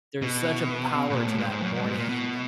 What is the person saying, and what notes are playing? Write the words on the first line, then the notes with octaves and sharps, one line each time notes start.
there's such a power to that morning
B2
A2
A#2
A2
G#2
G#2
F#2
F#2
G2
G#2
A#2
B2